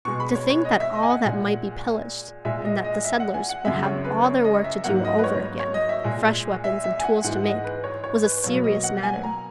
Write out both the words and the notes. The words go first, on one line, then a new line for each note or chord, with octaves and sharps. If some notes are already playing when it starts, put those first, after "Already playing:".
To think that all that might be pillaged and that the settlers would have all their work to do over again, fresh weapons and tools to make, was a serious matter.
B2 G#3 C#6
B5
C#5
C#5
D#5
E5
D#5
G#5
F#5
A#2 G#3
A#2 G#3 E5
D#5
D#5
E5
F#5
G#5
F#5
F#2 C#3 G#3 E5
C#5
B4
C#5
D#5
E5
G#2 F#3 A#3 F#5
D#5
B4
C#5
C#5
D#5
E5
A#2 G#3
E5
E5
G#5
F#5
G#2 E3 G#3 F#5
D#5
B4
C#5
C#5
B4
B2 F#3 A#3 C#5
D#5
F#5
G#5
A#5